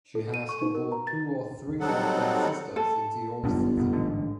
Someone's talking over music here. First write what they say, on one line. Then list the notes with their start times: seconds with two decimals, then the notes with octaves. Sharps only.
She has to board two or three of her sisters in the off season.
0.15 A4
0.34 D#7
0.49 C#6
0.61 D#4
0.75 A#4
0.92 A#5
1.07 A6
1.80 F#3 G3 C4 D#4 A4 F#5
2.76 A4
3.44 G1 F#2 B2 D3
3.77 F#2 B2
3.93 A1 G#2 D3